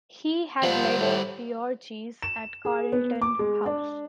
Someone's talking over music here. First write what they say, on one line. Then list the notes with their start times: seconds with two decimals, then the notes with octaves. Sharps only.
He had led the orgies at Carlton House.
0.63 F3 G3 C5 F#5
1.00 A2
2.22 E7
2.65 G#4
2.92 B3
3.22 D6
3.39 G#3
3.66 D4